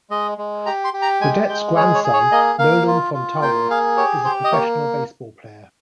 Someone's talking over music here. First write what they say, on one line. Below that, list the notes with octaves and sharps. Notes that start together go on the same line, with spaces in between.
Burdette's grandson, Nolan Fontana, is a professional baseball player.
G#3 D#5
G#3
G4 A#5
C6
G4
A#5
G#3 G#5
G#3 G5
G#4 C#5
C#5
G#4
C#5
A#3 D#5
A#3 F5
F4
F4
A#3 G5
G#4 F5
G4 C#5
G4 C5
D#5
A#3 C#5